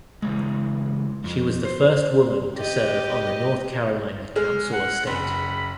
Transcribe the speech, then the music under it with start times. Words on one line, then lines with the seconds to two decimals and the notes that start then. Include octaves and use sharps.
She was the first woman to serve on the North Carolina Council of State.
0.22 C#3 E3 G#3
1.24 F2
1.65 C5
2.57 G4 D#5
4.36 G#3 F6
4.72 F#5
5.07 F#1 B5